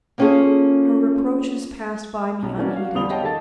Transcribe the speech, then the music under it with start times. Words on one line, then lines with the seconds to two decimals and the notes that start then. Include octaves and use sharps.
Her reproaches passed by me unheeded.
0.18 A#3 B3 C#4 F4 G#4 A4
2.42 B1
2.57 E3 A#3 C#4 D4 F#4
2.76 F#4 F5
2.95 E2 D3 G3 D#6 F7 G7
3.09 G4 C#5 D#5 F5 G5 A5
3.22 D#3 G4 A4 D#5 A5 A6